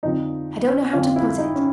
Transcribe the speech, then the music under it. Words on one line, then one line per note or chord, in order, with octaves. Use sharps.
I don't know how to put it.
F2 D3 F3 D#4
F2 D3 F3 F4
E4
D#4
C#4